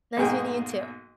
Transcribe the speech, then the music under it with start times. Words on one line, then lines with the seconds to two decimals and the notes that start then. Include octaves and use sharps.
Nice meeting you too.
0.17 B1 G#2 B2 A#3 G#4 G5